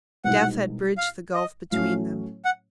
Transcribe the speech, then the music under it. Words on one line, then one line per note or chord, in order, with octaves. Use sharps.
Death had bridged the gulf between them.
C2 B2 G#3 C4 D#4 F#5
F5
D#5
A2 F#3 A3 C#4 F5
F#5